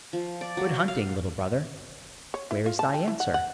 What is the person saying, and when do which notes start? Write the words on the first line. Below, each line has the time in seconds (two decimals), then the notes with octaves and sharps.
"Good hunting, Little Brother! Where is thy answer?"
0.13 F3
0.41 D5
0.57 F#3
0.88 F5
2.34 C#5
2.51 E4
2.66 F4
2.79 A5
2.94 G5
3.08 E4
3.20 F#5
3.34 F#5